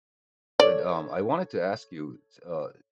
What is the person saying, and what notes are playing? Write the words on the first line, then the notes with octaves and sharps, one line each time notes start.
But, um, I wanted to ask you, s uh,
A4 C#5 D5